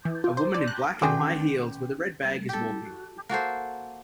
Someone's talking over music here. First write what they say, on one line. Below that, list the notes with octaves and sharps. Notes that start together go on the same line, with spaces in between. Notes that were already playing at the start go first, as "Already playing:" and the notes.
A woman in black and high heels with a red bag is walking.
E3
F4
C5
D5
F#6
D#3 A3 C#4 F#4 G#4 G5 D6
G4 A4
A#3 F#4 A4 C5